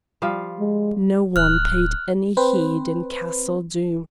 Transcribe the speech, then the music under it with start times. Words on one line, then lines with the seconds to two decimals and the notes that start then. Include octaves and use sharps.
No one paid any heed in Castle Doom.
0.22 F3 G3 F5
0.60 G#3
1.36 D1 F6 F#6
2.37 C4 B4 C5